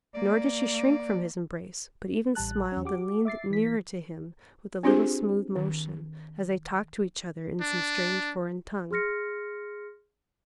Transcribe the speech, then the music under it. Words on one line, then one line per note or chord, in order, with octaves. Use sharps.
Nor did she shrink from his embrace, but even smiled and leaned nearer to him with a little smooth motion, as they talked to each other in some strange, foreign tongue.
A#3 D5
A1 G3 A5 F#6
E2 C#4
F#4 G4 D6
E5 D6 A6 C7
E3 B6
C4 D4 F4 G4 G#4 C5
D#3
D4
G#4 C6 F6 A#6 C#7